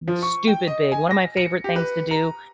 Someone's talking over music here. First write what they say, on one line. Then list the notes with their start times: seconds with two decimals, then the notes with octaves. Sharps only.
stupid big one of my favorite things to do
0.08 F3
0.23 C#6
0.47 G5
0.67 D#5
0.92 G#5
1.11 A#6
1.37 C#7
1.64 G4
1.76 B4
2.11 A#5